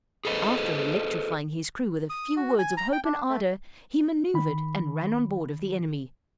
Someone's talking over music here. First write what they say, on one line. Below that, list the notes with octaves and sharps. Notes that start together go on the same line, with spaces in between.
After electrifying his crew with a few words of hope and ardor, he manoeuvred and ran on board of the enemy.
G#4 A4 B4 C5 D#5
D#6
F#4
G#5
A#5
G5
D4
A3
D#3 B5